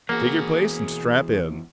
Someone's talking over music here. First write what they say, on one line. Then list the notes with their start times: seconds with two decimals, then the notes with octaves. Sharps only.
"Take your place and strap in."
0.09 E2 A#3 F#4 G#4